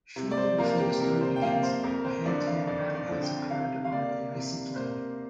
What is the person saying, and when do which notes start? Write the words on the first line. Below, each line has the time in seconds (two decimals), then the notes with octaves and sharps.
Shortly before the story begins, a hand-to-hand battle has occurred on an icy plain.
0.16 C3
0.31 D5
0.37 C5
0.58 F3 A#3 A#4
0.79 G4
1.00 C3 A#4
1.21 C5
1.36 G5
1.42 F3 A#3 F5
1.63 C5
1.83 F2 A#4
2.05 C5
2.25 D3 F3 D5
2.47 F5
2.67 F2 D5
2.95 D5
3.09 D3 F3
3.23 G5
3.50 C3 F5
3.84 F5
3.92 A#3 D5
4.35 C3
4.76 A#3 C5